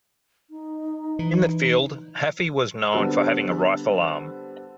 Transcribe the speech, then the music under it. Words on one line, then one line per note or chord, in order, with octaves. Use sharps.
In the field, Hafey was known for having a rifle arm.
D#4
E3
D3 G3 B3 C4 A4 E6